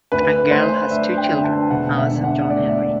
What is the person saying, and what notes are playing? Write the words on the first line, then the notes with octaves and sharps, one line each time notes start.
Angell has two children, Alice and John Henry.
D2 B4
A3 C5
D4 E5
G5
D3
A5
E1 F#5
E5
D3
F#5
A3 D5
E5